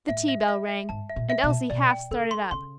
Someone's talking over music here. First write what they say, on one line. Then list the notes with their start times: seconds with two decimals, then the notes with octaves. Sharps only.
The tea-bell rang, and Elsie half started up.
0.08 A2 E5
0.28 E5
0.48 E5
0.69 E5
0.89 G#2 A5
1.10 E5
1.16 A#2
1.30 E5
1.44 B2
1.50 A5
1.70 B2 D5
1.91 G5
2.11 C#3 A4
2.31 C6
2.51 C#3 C6